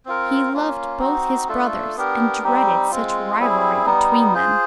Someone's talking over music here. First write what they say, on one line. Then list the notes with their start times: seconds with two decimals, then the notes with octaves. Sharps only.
He loved both his brothers, and dreaded such rivalry between them.
0.05 C4 F4 A#4
0.53 A#3 C#4 F4
1.00 C4 D#4 F#4
1.48 A3 D4 F4 A4
1.96 B3 D4 G4 A#4
2.44 G3 C4 D#4 G4
2.91 G#3 C4 F4
3.38 G3 C4 E4 G#4
3.86 G3 B3 D#4
4.34 F4 G#4 C5